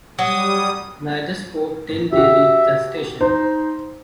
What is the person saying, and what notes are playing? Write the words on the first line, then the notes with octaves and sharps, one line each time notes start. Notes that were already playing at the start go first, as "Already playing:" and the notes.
Neither spoke till they reached the station.
F#3 G3 D#6
F#4 G4 E5
D#4 C5